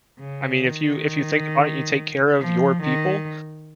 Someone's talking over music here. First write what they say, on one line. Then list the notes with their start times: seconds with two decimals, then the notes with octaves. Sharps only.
I mean, if you if you think about it, and you take care of your people,
0.20 C#3
0.64 D#3
2.38 F3
2.82 D#3